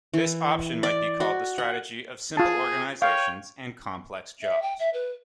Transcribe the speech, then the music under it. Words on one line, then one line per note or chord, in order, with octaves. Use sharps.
This option might be called the strategy of 'simple organisations and complex jobs'.
E3
D5
F#4
F#5
F4 G#4 A5
C#5 F5 G5
E5
G5
E5
B4